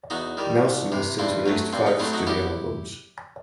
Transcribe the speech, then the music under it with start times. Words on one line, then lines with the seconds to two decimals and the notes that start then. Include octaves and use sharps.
Nelson has since released five studio albums.
0.10 E2 D#4 F#4
0.37 D#3 G3
0.65 C2
0.92 C3 E3
1.19 G2 C4 E4
1.46 F#3 A3
1.73 G2 C4
1.86 D#4
1.99 F#3 A3 C4 E4
2.13 D#4 F#4
2.27 E2 E4 G4